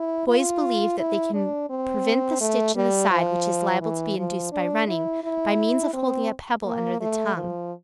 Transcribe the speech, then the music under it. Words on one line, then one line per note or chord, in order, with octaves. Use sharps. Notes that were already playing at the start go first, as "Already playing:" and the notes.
Boys believe that they can prevent the stitch in the side which is liable to be induced by running, by means of holding a pebble under the tongue.
Already playing: E4
F4
E4
D4
C4
A3
G3
F3
E3
F3
D4
E4
E4
C4
A#3
A3
F3